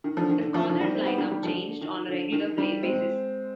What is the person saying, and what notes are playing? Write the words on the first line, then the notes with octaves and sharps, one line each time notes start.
The Scholars' lineup changed on a regular basis.
D#3
D3 F3
D#3
D3
F3
D#3
D3 F3
D#3 G3
C4
G3 B3
D#3 G3
D#3 G3
D3 F3
D3
D#3
D3
D#3
D#3 G3
G#3 C4